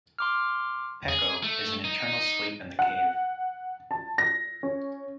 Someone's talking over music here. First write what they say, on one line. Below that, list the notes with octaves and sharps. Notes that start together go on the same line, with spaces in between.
Peko is in eternal sleep in the cave.
C6 D6 F6
G#4
A3
D#4
F#5
A5
A#6
C#4